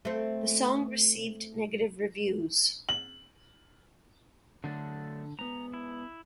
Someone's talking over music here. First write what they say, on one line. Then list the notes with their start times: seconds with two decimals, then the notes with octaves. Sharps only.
The song received negative reviews.
0.05 A3 C4
2.89 F#7
4.64 D3 F#3 A3 D4
5.39 G#2 B3 A#5
5.74 E4